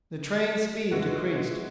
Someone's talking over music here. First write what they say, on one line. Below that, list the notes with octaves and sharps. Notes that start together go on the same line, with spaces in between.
The train's speed decreased.
E3 G#3 F#4